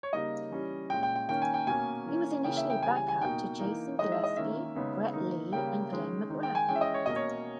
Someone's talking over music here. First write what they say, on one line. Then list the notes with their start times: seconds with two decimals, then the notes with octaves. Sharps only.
He was initially back up to Jason Gillespie, Brett Lee and Glenn McGrath.
0.03 C#5
0.13 C#3 G3 A#3 D#4 D#5
0.51 E3 G3 C#4
0.90 A#2 G#3 C#4 G5
1.03 G5
1.16 G5
1.29 D#3 A#3 C#4 G5
1.42 G#5
1.54 G5
1.67 B2 A#3 C#4 G#5
2.06 E3 A#3 C#4
2.44 C#3 E3 A#3 C#4 G5
2.57 E5
2.70 G5
2.83 C#3 E3 G3 G#5
2.96 G#5
3.08 G#5
3.21 B2 A#3 D#4 G5
3.59 E3 A#3 D#4
3.99 E3 G#3 D#4 D#5
4.12 E5
4.24 D#5
4.36 D#3 A#3 C#4 E5
4.75 C#3 G#3 B3 D#4
5.13 D#3 A#3 D#4
5.52 C#3 G3 A#3 G5
5.91 D#3 G#3 C#4
6.30 D#3 G#3 D#4
6.43 G5
6.55 G#5
6.68 E3 G#3 C#4 G5
6.76 E5
6.81 D#5
6.94 C#5
7.06 B2 A#3 C#4 D#5
7.16 C#5